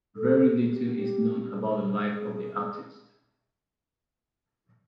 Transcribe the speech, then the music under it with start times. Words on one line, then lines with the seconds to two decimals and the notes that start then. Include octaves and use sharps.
Very little is known about the life of the artist.
0.16 A4
0.60 G#4
0.72 G4
0.84 F#4
0.95 G4
1.51 G#4